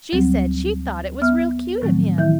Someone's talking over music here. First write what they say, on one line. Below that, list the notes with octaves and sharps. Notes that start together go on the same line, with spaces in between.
She said she thought it was real cute of him.
D2 F#3 G3 C4
B3 E5 F6
A2 D#3 F3 F#3 A3 C4
D#3 E3 E4 E5 G6